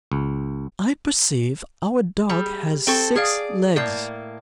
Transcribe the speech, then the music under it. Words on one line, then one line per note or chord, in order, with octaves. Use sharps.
"I perceive our dog has six legs."
C#2
G3 G#4
C4 A4 G5 C#6
G#4 D5 F5 F6 G#6
A2 A#3 D5 G6 C7